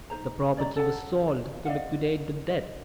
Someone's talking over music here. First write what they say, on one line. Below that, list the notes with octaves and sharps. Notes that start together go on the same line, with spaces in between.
The property was sold to liquidate the debt.
D#4 B4 C5 A#5
C#4 D5 D#5 A#5
A4 F#5 A5
D5 D#5 F5 F#5
D#5